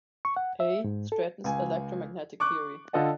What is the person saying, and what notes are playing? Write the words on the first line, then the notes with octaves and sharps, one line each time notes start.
A. Stratton's "Electromagnetic Theory".
C#6
F#5
E5
G#2
A4
C#2 G#5
C#6 D6 F#6
D3 F4 A4 D#5 F#5